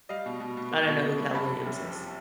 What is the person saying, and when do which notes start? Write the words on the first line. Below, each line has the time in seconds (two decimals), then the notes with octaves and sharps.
I don't know who Cal Williams is.
0.09 G3 D#5 F5
0.26 B2
0.40 B2
0.57 B2
0.71 A#3
0.87 B2
1.04 A#3
1.20 C2
1.34 F#1 A5 B5
1.50 F#1
1.66 F#1
1.82 F2